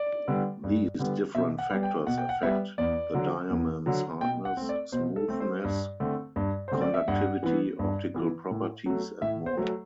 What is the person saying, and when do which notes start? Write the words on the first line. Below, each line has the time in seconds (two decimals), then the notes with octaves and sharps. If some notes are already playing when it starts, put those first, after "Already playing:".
These different factors affect the diamond's hardness, smoothness, conductivity, optical properties and more.
Already playing: D5
0.28 D3 G3 B3
0.64 G2
0.99 D3 G3 B3
1.35 B2 E5
1.59 F#5
1.70 G3 B3
1.83 G5
2.07 B2 F#5
2.18 G5
2.29 F#5
2.42 G3 B3 E5
2.78 E2 D5
3.14 D3 F#3
3.50 E2
3.86 D3 F#3
4.21 B2 G5
4.45 F#5
4.57 A3 C4
4.69 D5
4.92 B2 C5
5.16 A4
5.28 A3 C4
5.41 C5
5.64 G2
6.00 D3 A3 C4
6.36 G2
6.68 D3 A3 C4 C5
6.81 D5
6.94 E5
7.08 G2 F#5
7.43 E3 B3
7.79 G2
8.14 E3 B3
8.51 A2
8.86 F#3 A3
9.22 A2 E5
9.46 C5
9.57 F#3 A3